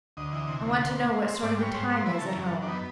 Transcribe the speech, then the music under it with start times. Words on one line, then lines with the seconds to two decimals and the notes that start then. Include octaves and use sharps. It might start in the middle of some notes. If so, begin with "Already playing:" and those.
I want to know what sort of a time is at home.
0.17 D2 D#5
0.32 E3
0.48 C3
0.64 D2
0.80 B2
0.95 C4
1.12 G#3
1.26 C4
1.42 G#2 D5
1.58 G3 C#5
1.74 G#2 C5
1.90 C4
2.05 E3 B4
2.18 C#3 A4
2.26 A#4
2.37 F#2
2.47 A4
2.53 F#2
2.62 D4
2.68 B3 D#4